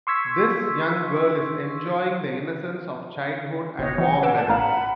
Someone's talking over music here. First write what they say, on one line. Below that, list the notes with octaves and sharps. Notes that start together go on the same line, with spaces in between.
This young girl is enjoying the innocence of childhood and warm weather.
C6 C#6 E6 G#6 B6
G1 D#4 C#5 D#5
E3 F#5
B4 C#5 F#5 D6 E6
D5 A5
A1 F5 F#5 A#5 B5